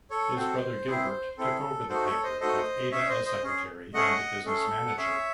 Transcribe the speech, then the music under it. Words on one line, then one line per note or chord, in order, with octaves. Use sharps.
His brother Gilbert took over the paper, with Ada as Secretary and Business Manager.
A4 C#5
C4 F#4 A4 C5
C4 E4 G#4
C4 E4 G#4 A4
A3 D#4 F#4 A4 C5
A4 C#5
C5 D#5
A3 D#4 F#4 A4 C5 D#5
C#4 G#4 C#5 E5
C5 D#5
C5 D#5
C#4 G#4
A3 C#4 G#4 D#5 F#5
A3 C#4 G#4 A4
F#5
C#4 G#4 C#5 E5